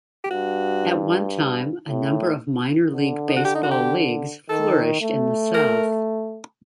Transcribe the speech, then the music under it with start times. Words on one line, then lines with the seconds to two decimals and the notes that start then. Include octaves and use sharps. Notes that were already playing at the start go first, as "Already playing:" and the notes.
At one time a number of minor league baseball leagues flourished in the South.
0.24 G4
0.30 G2 F#4
1.88 A2
2.93 D3
3.28 D#4
3.36 F#4
3.45 G4
3.55 D#4
3.63 F#4
3.71 G4
4.49 D#3 A4
5.01 A3
5.54 A#4